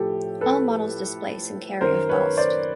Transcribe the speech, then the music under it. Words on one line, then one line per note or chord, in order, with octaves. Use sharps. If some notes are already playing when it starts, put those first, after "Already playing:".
All models displace and carry of ballast.
Already playing: A2 F3 G4 A4
A4 B4
F#2 D#3 A#4 C5
B4 C#5
C5 D5